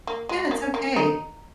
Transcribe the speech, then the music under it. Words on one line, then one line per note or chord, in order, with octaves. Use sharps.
Yeah, it's okay.
A#3
G#3
A#3
A#3
D#4